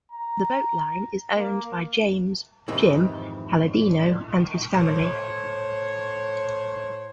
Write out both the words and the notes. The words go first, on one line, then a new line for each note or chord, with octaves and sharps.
The boat line is owned by James "Jim" Palladino and his family.
A#5
A#3
F2 G#2 C3 D#3 E3
A2 C5 C#5